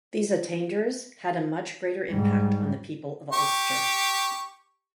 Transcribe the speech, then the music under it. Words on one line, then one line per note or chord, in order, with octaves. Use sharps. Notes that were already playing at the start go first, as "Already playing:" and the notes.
These attainders had a much greater impact on the people of Ulster.
G#2 G3
G4 C#6